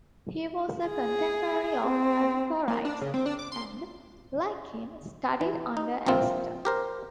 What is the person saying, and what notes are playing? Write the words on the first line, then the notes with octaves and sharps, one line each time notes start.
He was a contemporary of Antorides, and, like him, studied under Ariston.
G#4
C4
A#3
D4
C#3
C4
D4
D6
C6
E3
D#4
A#1 C3 A#3 C4 F4
G4 A#4 C5